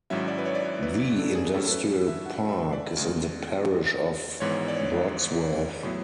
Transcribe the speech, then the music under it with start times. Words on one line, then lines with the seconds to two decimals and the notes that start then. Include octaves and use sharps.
The industrial park is in the parish of Brodsworth.
0.10 G#1 G#2 F#3 C#4 E4 E5
0.28 D5
0.38 B4
0.46 C#5
0.55 D5
0.64 C#5
0.83 B4
1.18 A4
1.32 A4
1.35 G#4
1.54 A2 F#3 C#4 E4 A4
1.67 A4
1.71 B4
2.08 E5
2.26 F#5
2.49 E5
2.73 D5
2.96 D2 C#3 G#3
4.40 G#1 G#2 E3 B3 C#5
4.68 D5
4.76 C#5
5.83 A2 F#3 B3 E4